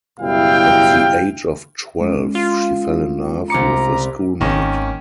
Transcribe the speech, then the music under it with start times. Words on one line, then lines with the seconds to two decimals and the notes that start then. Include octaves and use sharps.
At the age of twelve she fell in love with a schoolmate.
0.20 F#1 B2 G3 E4 F5 G5
2.00 G#3 C#4
2.35 F4
3.50 C2 A#5 D6 C#7
4.41 G#1 D#3 A#3 C#4